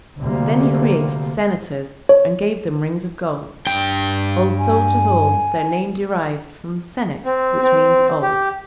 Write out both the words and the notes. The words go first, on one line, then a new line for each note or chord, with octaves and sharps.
Then he created Senators, And gave them rings of gold; Old soldiers all; their name deriv'd From 'Senex' which means 'old.'
D2 C3 G3 A#3
C#5
G2 G5
G#5
C4
C4
G4